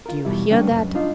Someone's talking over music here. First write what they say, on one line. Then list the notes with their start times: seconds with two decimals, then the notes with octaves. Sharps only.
Do you hear that?
0.06 F4 A#4
0.25 E2 B2 G3 E4
0.51 C#3 G3 B3 C#4 D4
0.71 C#2 F#2
0.95 D4 D#4 F4